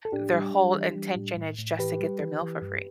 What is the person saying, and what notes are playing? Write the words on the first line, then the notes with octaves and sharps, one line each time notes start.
their whole intention is just to get their meal for free.
A4
A2 D4 G4
G3
G3
E3
G3
A2
A2
A2
E3 G4 B4
G3
E3
E3
G2